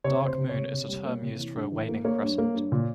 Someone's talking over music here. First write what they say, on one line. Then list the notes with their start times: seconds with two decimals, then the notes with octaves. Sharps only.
Dark Moon is a term used for a waning crescent.
0.04 C3 C#5
0.21 C3
0.27 C5
0.38 C3
0.49 C#5
0.55 C3
0.72 C3
0.88 G3
1.05 A#3
1.22 C3
1.38 E3
1.55 G2
1.72 E3
1.89 A#3
2.05 A#3 C#5
2.22 G2
2.38 A#3
2.54 G2
2.72 A#2